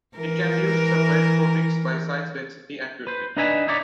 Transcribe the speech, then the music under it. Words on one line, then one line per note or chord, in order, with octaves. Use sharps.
It can be used to separate proteins by size, density and purity.
E3 A#4
B4 C5
D4 D#4 B4 D#5 E5 G#5
D#4 E4 C#5 D5